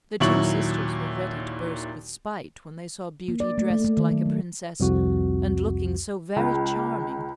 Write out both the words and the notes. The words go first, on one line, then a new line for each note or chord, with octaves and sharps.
The two sisters were ready to burst with spite when they saw Beauty dressed like a princess, and looking so very charming.
D#2 A#2 F#3 E4 C#6 F#7
A#3
D5
A3
A3
A3
D#3
F#3
F#3
C2 F2 F#4
C#2